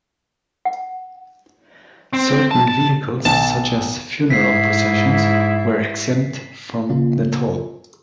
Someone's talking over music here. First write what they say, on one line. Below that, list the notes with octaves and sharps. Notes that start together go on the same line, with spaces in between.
Certain vehicles, such as funeral processions, were exempt from the toll.
F#5
C4
A5
A5
B1 A5
G#2 E4 B6 C7
C#3 A#3 F4